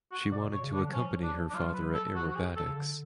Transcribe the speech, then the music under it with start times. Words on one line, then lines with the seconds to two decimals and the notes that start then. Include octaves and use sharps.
She wanted to accompany her father at aerobatics.
0.11 F#4
0.32 B2 D5
0.47 B2
0.53 C#5
0.63 C#3
0.73 D4
0.78 D3
0.89 F#3
0.93 F3 C#4
1.23 D4
1.50 D4
1.53 F#3 F4
1.74 B4
1.94 A4
2.15 F3 F#4
2.28 F#4
2.35 G#4
2.56 A4
2.67 C#3
2.76 D3